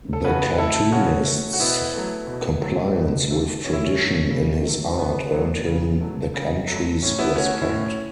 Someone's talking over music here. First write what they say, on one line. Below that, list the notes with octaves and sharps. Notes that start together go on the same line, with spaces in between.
The cartoonist's compliance with tradition in his art earned him the country's respect.
A4
C#3 F#4 B4
A3 E4 A4
C#3 C#4 F#4
A3
F#4
B2 B3 E4
F#3 A3
B2
F#3 A3
B2
F#3 A3
B2 C#4
E4
C#4
F#3 A3
C#3
F#3 A3
C#3 B3
F#3 A3
C#3
F#3 A3
C#3
F#3 A3
A2 C#4
B3 E4
A3 C#4 F#4
C#4
E4
A2 C#4